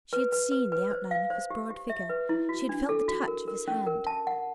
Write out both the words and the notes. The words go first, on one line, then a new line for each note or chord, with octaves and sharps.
She had seen the outline of his broad figure, she had felt the touch of his hand.
B4
B4
B4
B4
C5
F5
C5
G4
G4
E5
B4
E4
F#4
D4
A4
F#4
A#4
A#4
C#4
A#4
A5
F#5